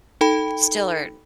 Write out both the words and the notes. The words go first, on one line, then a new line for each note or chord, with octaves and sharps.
still are
D#4 A4 G5 B5